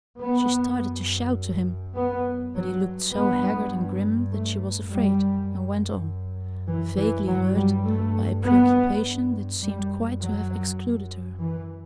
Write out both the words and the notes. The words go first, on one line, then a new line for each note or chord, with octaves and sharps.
She started to shout to him, but he looked so haggard and grim that she was afraid, and went on, vaguely hurt by a preoccupation that seemed quite to have excluded her.
F#2 B3
B3
G2 F#3
B3
A3
F#2 G3
E3
E3
G2 F#3
G3
A3
B3
F#2 G3
F#3
E3